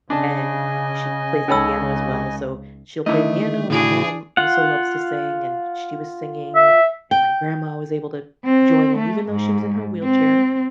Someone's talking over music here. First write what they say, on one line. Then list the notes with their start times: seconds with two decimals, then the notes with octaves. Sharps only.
and she plays the piano as well, so she'll play the piano, and my mom also loves to sing, and she was singing, and my grandma was able to join in even though she was in her wheelchair.
0.10 C#3 D4 D#5 G#5 A5
1.48 C#2 C#3 C#4 D#4 A4 C#5 B5 E6
3.06 D3 D#3 A3 E4 D#5
3.70 A2 C#3 D4 E4 F#4 G#4
4.37 F4 F#5
6.55 E5
7.11 G5
8.45 C4
8.97 A3
9.29 G#2
10.03 C4